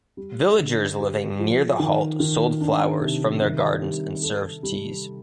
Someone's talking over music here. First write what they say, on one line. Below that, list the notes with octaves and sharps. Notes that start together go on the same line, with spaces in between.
Villagers living near the halt sold flowers from their gardens and served teas.
G3
D3
G4
F3
D#3
D#3
D4
C3
D#3
G3
A4
G3